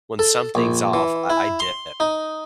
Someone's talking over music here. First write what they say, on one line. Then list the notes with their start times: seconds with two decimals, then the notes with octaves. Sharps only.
when something's off, I I dip.
0.19 A4
0.55 A#1
0.93 E3
1.30 E4
1.60 C6
2.00 D#4